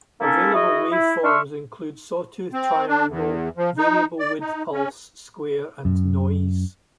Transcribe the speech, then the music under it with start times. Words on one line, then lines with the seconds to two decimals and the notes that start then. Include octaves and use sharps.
Available waveforms include sawtooth, triangle, variable width pulse, square, and noise.
0.20 A#3 C#4 D#4 E4 A4
0.54 E4 F#4 G#4 D#5
0.92 E4
1.24 D4 E5 C6 C#6 F6
2.53 C4
2.88 D4
3.08 E2
3.57 F3
3.78 D#4
4.19 D5
4.41 D#4
4.73 C#4
5.85 F#2